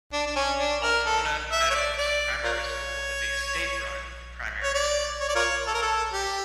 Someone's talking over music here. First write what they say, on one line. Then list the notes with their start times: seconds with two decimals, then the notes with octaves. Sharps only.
Altona Meadows Primary School is a state-run primary school.
0.13 D4
0.26 D4
0.36 C#4
0.59 D4
0.82 A#4
1.06 A4
1.52 E5
1.70 C#5
1.75 D5
1.98 D5
2.44 F4 A#4 C#5
4.63 C#5
4.75 D5
5.20 C#5
5.29 D5
5.35 F4 A#4 C#5
5.67 A4
5.74 A#4
5.82 A4
6.13 G4